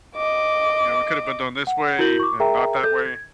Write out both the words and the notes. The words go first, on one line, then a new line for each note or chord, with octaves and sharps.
you know, it could have been done this way, and not that way.
D#5 D6
F#5
E4 F#4 A#4 G6 F#7
C#6 D6
G#4 A#4 E5 G5 A#5
A4 G6
G#6